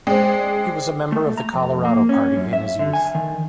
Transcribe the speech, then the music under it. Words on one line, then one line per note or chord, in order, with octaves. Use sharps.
He was a member of the Colorado Party, in his youth.
G#3 D4 G#4 C5 G5
A3
A#5
F2
A#3
C#4
F#2
E5
D3
G#5
D#3